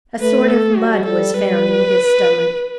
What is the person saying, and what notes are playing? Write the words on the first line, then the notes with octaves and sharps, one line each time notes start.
A sort of mud was found in his stomach.
A3 B4
A4
G3 F#4
G3 A4
G3 B4